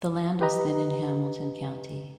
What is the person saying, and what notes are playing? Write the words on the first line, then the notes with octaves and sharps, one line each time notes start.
The land was then in Hamilton County.
G4 B4 D#5 A#5